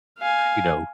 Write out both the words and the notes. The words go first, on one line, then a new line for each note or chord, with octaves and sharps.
you know,
F5 G#5